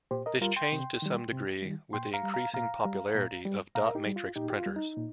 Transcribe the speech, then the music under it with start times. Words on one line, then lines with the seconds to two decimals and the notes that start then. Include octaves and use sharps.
This changed to some degree with the increasing popularity of dot matrix printers.
0.11 A#2 G4 C5
0.26 A#4 D#5
0.41 G3 F4 A#4
0.56 G5 C6
0.72 C3
1.02 D#3 G3
1.32 C3
1.62 D#3 G3
1.93 A#2 G5 C6
2.14 F5 A#5
2.23 G3
2.34 F5 A#5
2.54 A#2 F5 A#5
2.85 G3
3.15 A#2
3.45 G3
3.75 A#2 F5 A#5
3.86 A#4
3.95 D#4 G4
4.06 G3
4.16 F4
4.36 A#2 D#4 G4
4.50 G4
4.56 F4
4.66 G3
4.76 D#4
4.97 A#2